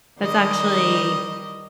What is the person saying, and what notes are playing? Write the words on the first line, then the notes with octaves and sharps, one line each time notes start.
that's actually
D#3 G3 D#5